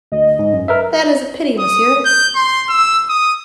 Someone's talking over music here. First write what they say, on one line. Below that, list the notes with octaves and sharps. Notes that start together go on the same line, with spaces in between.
That is a pity, monsieur.
D2 D#5
G#2
F#2
A#4 B4 E5
D#6
G6
C6
E6
D#6